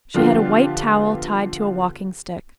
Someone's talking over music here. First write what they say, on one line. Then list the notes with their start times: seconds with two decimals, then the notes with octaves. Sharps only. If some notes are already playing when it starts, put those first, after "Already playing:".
She had a white towel tied to a walking-stick.
0.14 D3 F3 B3 F4 G4